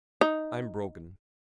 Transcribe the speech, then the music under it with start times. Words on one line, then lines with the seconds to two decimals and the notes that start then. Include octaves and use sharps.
I'm broken.
0.21 D#4